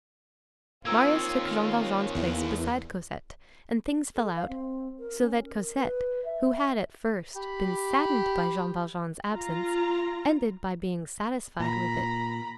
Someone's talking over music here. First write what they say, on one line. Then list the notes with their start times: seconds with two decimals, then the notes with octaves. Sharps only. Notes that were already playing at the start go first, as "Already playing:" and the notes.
Marius took Jean Valjean's place beside Cosette, and things fell out so that Cosette, who had, at first, been saddened by Jean Valjean's absence, ended by being satisfied with it.
0.85 A#3 C4 D#4 F4 C#5 A#5 E6 G#6
1.45 F6
2.15 E2
4.15 A4
4.35 F5
4.48 C4
4.99 A#4
5.20 C#4
5.45 A#4
5.77 B4
6.25 E5
7.36 G4 B5
9.33 F4 A#5
11.60 A#2 A#5 B5